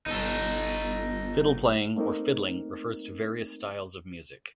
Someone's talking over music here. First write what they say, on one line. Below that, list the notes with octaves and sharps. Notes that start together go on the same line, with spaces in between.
Fiddle playing, or fiddling, refers to various styles of music.
G1 D#4 A4
A3 A#3 C4 D#4 A#4